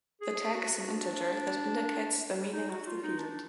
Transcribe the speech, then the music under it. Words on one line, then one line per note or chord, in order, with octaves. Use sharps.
The tag is an integer that indicates the meaning of the field.
G#4
F#4
D4
D#4
F#4
F4
D#4
D4